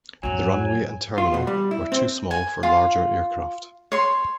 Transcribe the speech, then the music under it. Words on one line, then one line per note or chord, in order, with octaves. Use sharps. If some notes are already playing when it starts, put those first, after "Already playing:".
The runway and terminal were too small for larger aircraft.
F2 G#2 F#3 G#5
F4
B2
G3
E4
C4
G#5
F4
C#5 C6